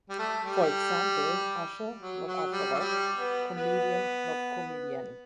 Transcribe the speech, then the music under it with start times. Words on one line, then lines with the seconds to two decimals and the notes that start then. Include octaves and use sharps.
For example, "usher", not "usherette"; "comedian", not "comedienne".
0.09 G3
0.19 A3
0.45 G3
2.01 F#3
2.27 F#3
2.52 G3
2.73 F#3
2.79 G3
3.17 B3
3.57 B3